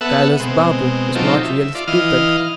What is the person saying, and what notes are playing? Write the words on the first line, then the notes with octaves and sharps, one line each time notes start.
Kailas Babu was not really stupid.
B3 A4 E5 F#5
B2 G#3 C4
F#3 C4 D#4 F4 G4 A4
E5
F4 D5
E3 D#5 F5 F6